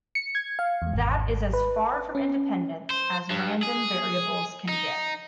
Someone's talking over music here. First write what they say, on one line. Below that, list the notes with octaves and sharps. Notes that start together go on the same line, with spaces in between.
That is as far from independence as random variables can get.
C#7
G#6
F5
E2
G#1
B4
C#4
C5
G2
G#4
D#4